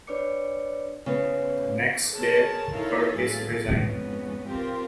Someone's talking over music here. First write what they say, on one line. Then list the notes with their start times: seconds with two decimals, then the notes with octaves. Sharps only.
The next day, Curtis resigned.
0.07 D4 B4 C#5 D5 D6 C#7
1.06 C#3 B3
2.12 G#4 A#4 C#5 A5
2.72 D#4 E4 A4 A#4 C#5 F5
3.17 A2 F#3 G#4 A4 F5 A6
3.71 F2 G#2 B3 C#4
4.47 C4 F4 G4 A#4